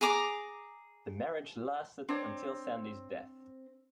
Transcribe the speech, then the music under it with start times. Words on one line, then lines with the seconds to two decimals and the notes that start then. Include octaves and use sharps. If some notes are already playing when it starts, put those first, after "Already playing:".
The marriage lasted until Sandys' death.
0.01 G#4 G#5 A#5 D6
2.09 C4 D4 C#5